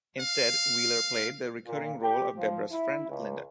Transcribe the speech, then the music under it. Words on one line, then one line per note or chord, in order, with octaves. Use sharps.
Instead, Wheeler played the recurring role of Debra's friend, Linda.
F5
A#2
G4
F3
E4
C#2